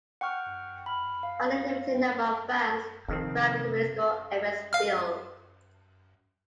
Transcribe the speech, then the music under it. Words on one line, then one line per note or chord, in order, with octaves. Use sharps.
Only a limited number of fans could cram into minuscule Ebbets Field.
F#5 G5 C#6 F6
B5 F6
F5
G5
F2 C3 D#3 C4
F5 F6